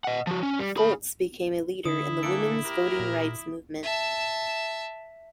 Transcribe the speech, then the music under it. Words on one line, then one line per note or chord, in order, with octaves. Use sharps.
Foltz became a leader in the woman's voting rights movement.
D#5 F#5
F3 F#4
C#4
G3
G#4 B5
D3 E4 D#6
E3 A#3 A4 D7
G4 A#4
A#2
E5 A5